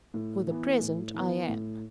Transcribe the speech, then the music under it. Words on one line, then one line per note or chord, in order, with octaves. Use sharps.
"For the present I am."
A2
E3 B3
A2
E3 B3
A2